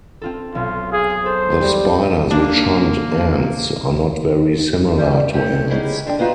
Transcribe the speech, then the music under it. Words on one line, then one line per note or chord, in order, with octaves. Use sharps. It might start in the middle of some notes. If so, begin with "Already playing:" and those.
The spiders which hunt ants are not very similar to ants.
C4 F4 A4
B1 F4
G#4
A4 C5
G3
A#3 D4
G#2 C#3 G3
A3 C4 C#4
B3 C#4 D#4 E4 G4 G#4
D3 G5
B3 D#4 F4 F#4